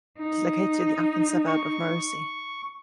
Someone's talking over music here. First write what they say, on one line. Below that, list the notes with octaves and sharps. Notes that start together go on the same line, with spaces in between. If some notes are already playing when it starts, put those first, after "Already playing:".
It is located in the Athens suburb of Marousi.
D#4
C#6